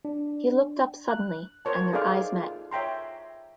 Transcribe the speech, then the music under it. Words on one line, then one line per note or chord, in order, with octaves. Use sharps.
He looked up suddenly, and their eyes met.
D4
F#6
A#4 C5 C#5 A5
D#4 G#4 A4 D5 F5 D6
F4
C#5 E5 G5 A#5 C6